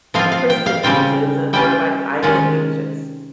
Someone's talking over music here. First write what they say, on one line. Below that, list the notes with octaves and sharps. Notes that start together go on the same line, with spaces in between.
pristine beaches and more, like, island beaches."
F3 C4 F4 F5
F5
G5
F5
C#3 G3 C4 F4 G5
G3 C#4 F4 G5
C3 D#3 G#3 C#4 F4